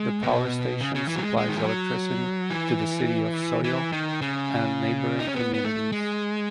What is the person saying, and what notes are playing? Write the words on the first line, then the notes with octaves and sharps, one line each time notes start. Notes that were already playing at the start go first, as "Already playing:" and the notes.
The power station supplies electricity to the city of Soyo and neighboring communities.
Already playing: G#3
B2
C#3
C#3
E3
F#3
G#3
G#3
D#3
E3
F#3
E3
E3
D#3
C#3
D#4
C#4
B3
B3
A3
G#3